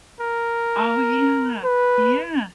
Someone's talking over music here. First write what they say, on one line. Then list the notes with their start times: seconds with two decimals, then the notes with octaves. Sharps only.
Oh, yeah. Yeah.
0.20 A#4
1.65 B4